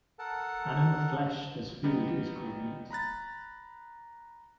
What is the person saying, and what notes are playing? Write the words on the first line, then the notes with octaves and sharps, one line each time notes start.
Animal flesh, as food, is called meat.
A4 A#4 F#5 A5
G3 B3 D#4
A#5 B5 F#6 A6